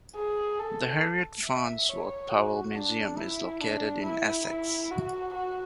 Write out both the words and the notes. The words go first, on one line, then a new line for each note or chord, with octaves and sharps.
The Harriet Farnsworth Powell Museum is located in Essex.
G#4
A4
E5
C#5
F#4
D4
E4
D4
E4
E4
F#4
F#4